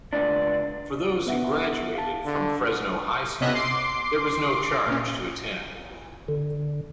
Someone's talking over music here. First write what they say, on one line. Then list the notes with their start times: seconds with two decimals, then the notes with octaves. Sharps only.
For those who graduated from Fresno High School, there was no charge to attend.
0.13 C#2 D4
1.27 B3 E5 F#5
1.95 F5 A5
2.25 D3
3.40 C3 B3 C#4 D#5 E5 F#6
3.54 C6 D6 C7
4.86 A#2 C#4
6.28 D3